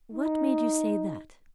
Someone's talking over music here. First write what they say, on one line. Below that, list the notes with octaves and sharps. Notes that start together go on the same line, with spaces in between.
"What made you say that?"
D#4